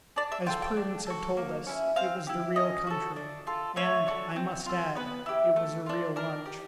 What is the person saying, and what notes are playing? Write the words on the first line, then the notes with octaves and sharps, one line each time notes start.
As Prudence had told us, it was the real country, and, I must add, it was a real lunch.
D4 D5
E5
F4 A4 G5
G5
D4
F#4 A4
A#3
C#4 E4
C4 F5
E4 G4
C#4 D#5
F#4 A4
D4
F4 A4
A3 C#5
D4 F#4 A4
C4
F4 A4
B3 B4
E4 G4
A3
D4 F4
D4 A#4
G4